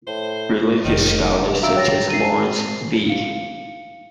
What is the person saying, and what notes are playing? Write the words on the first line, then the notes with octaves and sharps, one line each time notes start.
Religious scholars such as Laurence B.
A2 C5
F1 D#2 D#3
F#4 E5 F5 A#5 E6 D7
C#5 G5 A6 A#6
C7 D#7
F5 C#7